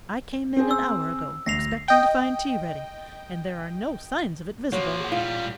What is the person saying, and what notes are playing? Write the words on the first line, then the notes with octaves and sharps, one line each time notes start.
I came in an hour ago, expecting to find tea ready, and there are no signs of it visible.
C4 G#4
E6
D2 A#6 C7 F7
D#5 G5
F3 A#3 F#4 C#5
G#4 F#5
A#2 G3 F4